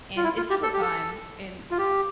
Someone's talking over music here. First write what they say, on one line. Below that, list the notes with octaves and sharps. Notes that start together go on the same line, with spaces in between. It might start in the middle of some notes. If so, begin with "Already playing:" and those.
and it's just a time and
F4
E4
F4
G4
A4
G4
A4
F4
G4